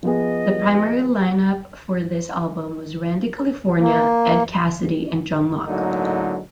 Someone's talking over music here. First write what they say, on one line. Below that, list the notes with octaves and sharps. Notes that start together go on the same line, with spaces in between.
The primary line-up for this album was Randy California, Ed Cassidy and John Locke.
F3 B3 G#4 D#5
A#3
A2 D3 F#3 G#3 A#3 D#4